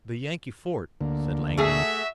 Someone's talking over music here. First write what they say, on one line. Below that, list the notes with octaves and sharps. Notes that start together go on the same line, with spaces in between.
"The Yankee fort," said Langdon.
D2 D3 A#3
A3 F#4 G#4 E5